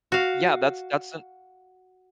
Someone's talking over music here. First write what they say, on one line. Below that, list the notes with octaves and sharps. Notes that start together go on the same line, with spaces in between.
Yeah, that's that's an
F#4 F5